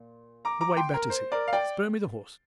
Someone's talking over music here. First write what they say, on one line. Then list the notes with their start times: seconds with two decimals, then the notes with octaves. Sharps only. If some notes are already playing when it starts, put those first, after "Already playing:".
The way betters here; spur me the horse.
Already playing: A#2
0.45 A#5 D6
0.61 A#5 D6
0.77 G5 C6
0.94 A#4
1.10 C5
1.32 A#4 D5
1.48 F5
1.53 D5 G5